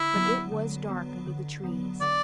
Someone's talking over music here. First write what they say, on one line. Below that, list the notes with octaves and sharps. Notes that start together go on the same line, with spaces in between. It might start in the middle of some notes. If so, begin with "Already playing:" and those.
But it was dark under the trees.
Already playing: D3 E4
F#3 B3
D3
F#3 B3
D3
F#3 B3
D3 D5